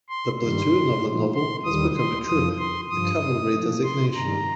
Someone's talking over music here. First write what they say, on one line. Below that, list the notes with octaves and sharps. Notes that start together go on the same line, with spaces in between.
The platoon of the novel has become a troop, a Cavalry designation.
C6
G2 D#3 G3 C6
A#2 F3
C6
D#2 D#3 G3 D#6
C6
F2 F3 D#6
C6
G2 F3 D#6
A#2 F3
C6
G2 D#3 G3 A#5